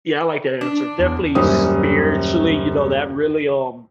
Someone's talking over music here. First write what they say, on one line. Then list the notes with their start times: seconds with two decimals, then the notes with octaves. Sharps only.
Yeah, I like that answer, definitely spiritually, you know, that really, um
0.61 D4
0.99 E2
1.35 D#1 F#2 G3 C#4 C5 D#6